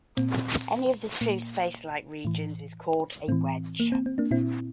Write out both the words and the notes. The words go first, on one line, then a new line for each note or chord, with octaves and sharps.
Any of the two spacelike regions is called a wedge.
A#2 C4
A#2 A#3
A2 E3
A2 E3 C4
A#3
C4
C4
A#3 D4
A#2 C4 E4